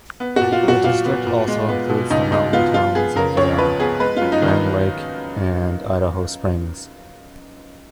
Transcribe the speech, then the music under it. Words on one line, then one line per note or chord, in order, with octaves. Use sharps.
The district also includes the mountain towns of Vail, Grand Lake and Idaho Springs.
B3
F#4
A#2
F4
F#3 F#4
A#2 F4
B3
A#2
G#3
B3
B2
C#2 D#4
G#3 D#4
B3 F4
F3 F4
B3 G#4
C#3 A#4
C#2 C#5
F3 B4
B3 G#4
G#3 B4
F4
F#2
D#4
D#3
D#4